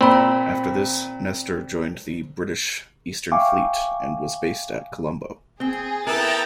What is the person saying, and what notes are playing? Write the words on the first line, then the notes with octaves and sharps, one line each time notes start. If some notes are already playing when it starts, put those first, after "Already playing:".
After this, "Nestor" joined the British Eastern Fleet, and was based at Colombo.
A#2 C4 B5
E5 F5 G5 G#5 C#6 D6
C4 G#4
B3 E4 A4 A#4 G5 A#5 A6